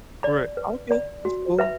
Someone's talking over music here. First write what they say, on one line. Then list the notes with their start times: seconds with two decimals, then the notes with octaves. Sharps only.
Right, okay, that's cool.
0.23 D5 B5
0.57 B4
0.91 D5 B5
1.25 F#4
1.59 B4 E5 B5